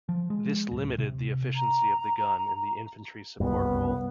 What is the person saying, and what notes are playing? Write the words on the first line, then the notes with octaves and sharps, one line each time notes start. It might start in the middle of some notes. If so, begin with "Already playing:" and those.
This limited the efficiency of the gun in the infantry support role.
F3
G#3
D1
C3
A#5
F#1 C2 G2 B3